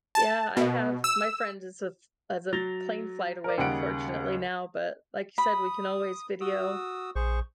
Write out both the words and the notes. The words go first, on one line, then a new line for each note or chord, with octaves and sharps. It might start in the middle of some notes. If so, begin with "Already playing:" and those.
Yeah, I have my friend is a f as a plane flight away, unfortunately now, but like you said, we can always video.
A5
B2
E6
F#3 A6 A#6 F7 G7
A#4 D5
D#2 C#3 G3 F#5 D7
B5 D#6
F#4 D#6 E6
A#1 G#4 C5 C#6